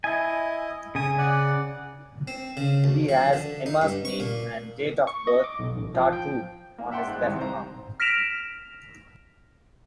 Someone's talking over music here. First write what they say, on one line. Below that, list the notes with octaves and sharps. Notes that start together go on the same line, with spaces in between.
He has Emma's name and date of birth tattooed on his left arm.
E4 D#5 G#5
C#3 G#5 D#6
D5 F#5
C4
C#3
D2
F3
D3
D#4
G2
C#6
A#2
C#6
D#5
D6
B1
A1
F3
G5
A#3
E5 F#5 G5 C6
G#2 F#6
C2 C3 D#3
C5 A#5
F6 A#6 B6 D7 E7 F7